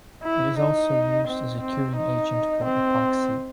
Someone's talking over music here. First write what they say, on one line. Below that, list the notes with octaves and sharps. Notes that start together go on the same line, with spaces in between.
It is also used as a curing agent for epoxy.
E4
D#4
C4
C4
D#4
C4